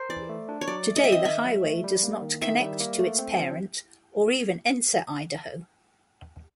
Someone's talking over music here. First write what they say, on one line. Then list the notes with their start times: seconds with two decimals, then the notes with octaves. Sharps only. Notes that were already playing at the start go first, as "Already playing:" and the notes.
Today the highway does not connect to its parent, or even enter Idaho.
Already playing: A#4 C5
0.09 E3 D5
0.29 A3
0.49 D4
0.61 C#5
0.68 F#3 D5
0.87 A3
0.96 D#5
1.04 C4 E5
1.12 D#5
1.25 D#3 E5
1.45 F#3
1.64 A3
1.84 G3
2.03 A#3
2.22 D#3
2.41 D#3 E5
2.60 G3
2.80 A#3
3.00 A3
3.18 C4
3.37 F3